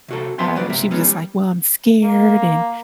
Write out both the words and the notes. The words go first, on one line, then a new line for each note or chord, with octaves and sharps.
uh, she was just like, "Well, I'm scared, and
C3 F#4 A4
B3 E5 C6
F3 F#4 A#4 B4 D5
C#2 G2 C3 A#3 E5
E3 F#3 G#3 B3 C#4 D#4
G3
A#3